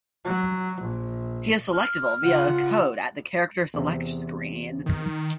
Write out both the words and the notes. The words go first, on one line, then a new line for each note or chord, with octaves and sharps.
He is selectable via a code at the character select screen.
F#3
A#1
F6
C#3 F4 F#5
E2 C3
D#3